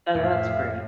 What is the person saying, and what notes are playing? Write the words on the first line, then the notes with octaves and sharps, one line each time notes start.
Tha that's great.
F2 A2 E5 F5